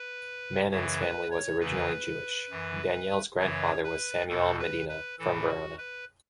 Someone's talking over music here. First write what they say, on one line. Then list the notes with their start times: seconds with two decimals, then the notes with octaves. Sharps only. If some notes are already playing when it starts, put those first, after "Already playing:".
Manin's family was originally Jewish: Daniele's grandfather was Samuele Medina, from Verona.
Already playing: B4
0.71 F#2 C#3 E3 C#5
1.01 B4
1.31 C#5
1.60 E2 C#3 E3 B4
2.50 F#2 E3
3.39 F#2 C#3 E3 C#5
3.84 B4
4.29 E2 B2 A4
4.59 B4
4.89 B4
5.19 A2 E3 A4
5.48 F#4
5.78 B4